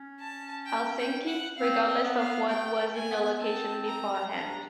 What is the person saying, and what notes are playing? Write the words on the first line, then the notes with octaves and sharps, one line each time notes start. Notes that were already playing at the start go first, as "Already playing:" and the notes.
Helsinki, regardless of what was in the location beforehand.
Already playing: C#4
A5
G5
G5
F#5
C4 F5
D#5
B3
F5
A3 G5
G#5
B3
C4 A5
A#5
D4 A#5